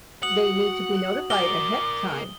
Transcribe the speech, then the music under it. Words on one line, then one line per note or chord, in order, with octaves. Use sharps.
They need to be notified ahead of time.
F#4 F#5 D#6 F#7
A#4 D5 D6 G7